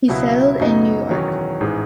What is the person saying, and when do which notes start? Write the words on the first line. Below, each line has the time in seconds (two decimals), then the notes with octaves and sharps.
He settled in New York.
0.08 C#2 B2 F#3 B3 E4
0.59 F#2 C#3 F#3 B3 D#4
1.10 E1 E2 D#3 F#3 C#4
1.60 A1 G#2 E3 G#3